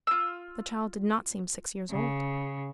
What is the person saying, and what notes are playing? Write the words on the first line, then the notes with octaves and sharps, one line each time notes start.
The child did not seem six years old.
F4 E6
C#3